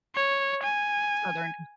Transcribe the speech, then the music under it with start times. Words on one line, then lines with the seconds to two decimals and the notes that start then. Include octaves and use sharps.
Southern C
0.15 C#5
0.63 G#5